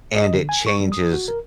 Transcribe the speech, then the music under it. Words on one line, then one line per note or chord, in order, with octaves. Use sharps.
and it changes
D#5
D3
G#5
C#6
G3
D#6
F#4
A#4